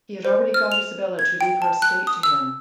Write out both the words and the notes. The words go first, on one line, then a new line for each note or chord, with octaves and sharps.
He had already got Isabella to leave her estate to him.
C5
F6
F7
G#6
G5
A5
F#6
D#6
E6